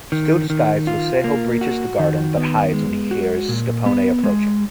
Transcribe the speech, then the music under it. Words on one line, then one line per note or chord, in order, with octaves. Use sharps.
Still disguised, Lucejo breaches the garden, but hides when he hears Scipione approaching.
D#3
D#3
F4
A#3
F#4
D#3
B3
G#3
F#4
A#2
B3
G#3